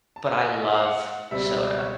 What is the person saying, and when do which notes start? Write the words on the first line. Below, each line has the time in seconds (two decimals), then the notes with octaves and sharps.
but I love soda,
0.16 A5
0.39 G#5
0.53 D#5
0.64 E5
0.75 F5
0.85 F#5
1.31 C#2 B2 G3 C4 E5
1.55 D5
1.78 C#5